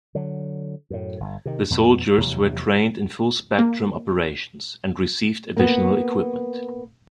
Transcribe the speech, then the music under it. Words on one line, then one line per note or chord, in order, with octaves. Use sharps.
The soldiers were trained in full spectrum operations and received additional equipment.
D3 F#3
F#2 A2
G1
C3 D#3
F2 B2 G#3 B3
F1 E2 C3 F#3
A#3
A#3 B3